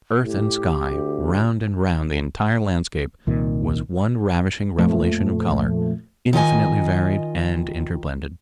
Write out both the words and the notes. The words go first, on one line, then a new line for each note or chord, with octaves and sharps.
Earth and sky, round and round the entire landscape, was one ravishing revelation of color, infinitely varied and interblended.
A2 G4
D2
C2 A#2 D#3
F2 A#2 F3 A3
D#3 F4 D#5 G#5